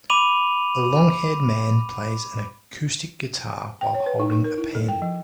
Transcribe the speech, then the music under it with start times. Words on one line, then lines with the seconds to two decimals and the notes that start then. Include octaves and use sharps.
A longhaired man plays an acoustic guitar while holding a pen.
0.10 B5 D6 D#7 F7 F#7
3.81 G5
3.95 C#5
4.06 B4
4.20 D#4
4.32 D#4
4.44 A#4
4.58 E4
4.75 A4
4.88 G5
5.02 F3